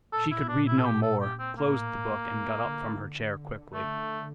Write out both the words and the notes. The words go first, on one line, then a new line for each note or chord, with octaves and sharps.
She could read no more, closed the book and got up from her chair quickly.
A#2 A4
E4
D4
E4
A4
G4
A4
G4
C4
A2 A#3
A2
D3
D3
A3